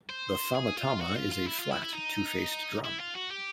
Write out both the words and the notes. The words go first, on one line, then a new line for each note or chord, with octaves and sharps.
The Thammattama is a flat, two faced drum.
C5
G#4
F4
F#4
F4
F4
E4
F4
E4
E4
D#4
E4
F4
F#4
G4